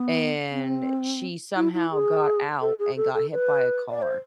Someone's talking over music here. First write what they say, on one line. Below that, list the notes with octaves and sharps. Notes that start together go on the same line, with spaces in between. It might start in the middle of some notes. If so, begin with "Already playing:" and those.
and she somehow got out and got hit by a car.
Already playing: B3
C4
E4
E4
G#4
A4
G#4
A4
A4
B4
D5
C5